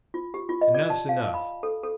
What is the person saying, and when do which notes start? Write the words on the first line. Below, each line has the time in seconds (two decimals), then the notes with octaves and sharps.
Enough's enough.
0.14 F4
0.34 G4
0.49 F4
0.61 D#5
0.74 D5
0.90 A5
1.09 F5
1.34 B5
1.63 A4
1.84 A4